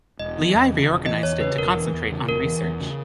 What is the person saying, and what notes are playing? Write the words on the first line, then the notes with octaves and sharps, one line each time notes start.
Liais reorganized it to concentrate on research.
E1 D#5
E3
E2
C#3
E1
E3 D#5
E2 C#5
C#3 B4
E1 A#4
E3
E2
C#3
E1 A#4
E3
E2
C#3